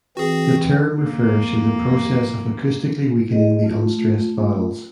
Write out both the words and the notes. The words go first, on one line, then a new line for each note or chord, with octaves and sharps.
The term refers to the process of acoustically weakening the unstressed vowels.
E3 C4 F#4 G#4
F2 A#3
G#4 D#5
A3 F4